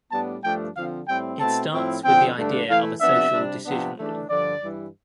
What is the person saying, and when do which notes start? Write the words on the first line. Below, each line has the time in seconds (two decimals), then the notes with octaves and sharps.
It starts with the idea of a social decision rule.
0.11 A2 G3 B3 D4 A5
0.43 G2 F3 A3 D4 G5
0.76 D3 F3 C4 F5
1.08 A2 G3 C4 E4 G5
1.40 B2 A3 C4 E4 A5
1.72 A2 F3 C4 E4
2.04 D3 F3 C4 G5
2.37 G2 D3 A3 D4
2.68 E3 A3 E4 F5
3.01 C3 F3 B3 D4 E5
3.33 C3 G3 D4
3.65 C3 F3 B3 D4
3.98 E3 A3 D4
4.29 G2 D3 F3 D5
4.61 G2 E3 G3